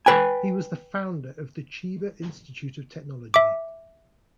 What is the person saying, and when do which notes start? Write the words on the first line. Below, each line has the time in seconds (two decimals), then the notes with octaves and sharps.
He was the founder of the Chiba Institute of Technology.
0.06 B4 G5 G#5
3.34 E5 D6